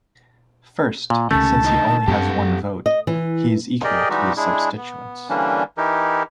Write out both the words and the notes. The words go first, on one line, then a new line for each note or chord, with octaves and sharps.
First, since he only has one vote, he is equal to his substituents.
A#2
C#2 C3 D#3 A3 C#4 A5
D3 D#4 D#5
F#2 B3 C4 G4 A4 F#5
D#5
E3
G4 G#4 A#4 D5 D#5 G5
E3 G3 G#3 D#4 F#4 G4
G#3 D4 E4 G#4
B3
D3 E3 G3 A#3 C#4 D4
E3 D#4 E4 G4 A#4